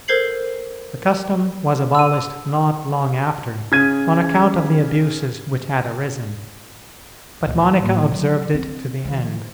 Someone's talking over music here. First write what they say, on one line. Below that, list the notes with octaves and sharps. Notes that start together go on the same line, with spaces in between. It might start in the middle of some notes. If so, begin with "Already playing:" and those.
The custom was abolished not long after on account of the abuses which had arisen, but Monica observed it to the end.
A4 A#4 C5 G#6 C7 F#7
E6 D#7
C#3 G#6 D#7
D2 A#2
A2 A#3
F#3
C4
D#3 F3